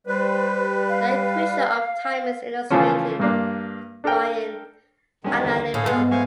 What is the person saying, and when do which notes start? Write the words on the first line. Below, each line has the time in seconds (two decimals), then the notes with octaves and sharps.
The equation of time is illustrated by an analemma.
0.07 G3 B4 C5
0.89 F5
2.70 C#3 E3 F3 A3 C#4
3.19 G2 A#3 D4
4.04 D4 A4 A#4 G5
5.24 E2 G2 D#3 G#3 C#4 G#4
5.44 D2
5.74 A2 G#4 A4 F5
5.86 G#2 B3
6.11 G#3 A3 C5 F5 G#5 C#6